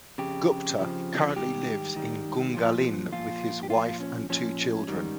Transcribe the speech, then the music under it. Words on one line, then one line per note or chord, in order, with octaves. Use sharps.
Gupta currently lives in Gungahlin with his wife and two children.
F2 C#3 G4
F2 C#3 F3
G#2 D#3 G3 G4
G#2 D#3 G3
A#2 F3
A#2 F3 F4
G4
A#2 F4
F3
C#4
A#2 F3 C#4
G#2 D#3 G3